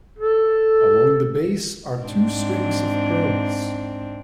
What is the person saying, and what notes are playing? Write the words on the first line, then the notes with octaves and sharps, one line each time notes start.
Along the base are two strings of pearls.
A4
G#2 C4 D4